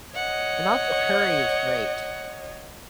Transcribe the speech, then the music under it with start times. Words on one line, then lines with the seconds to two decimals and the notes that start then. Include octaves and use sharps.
and also, curry is great.
0.15 C#5 D#5 F#5